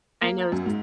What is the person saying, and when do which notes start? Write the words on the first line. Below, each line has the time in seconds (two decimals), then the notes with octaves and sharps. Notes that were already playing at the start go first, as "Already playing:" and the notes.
I know s
0.21 A#3
0.52 F#2
0.66 G#2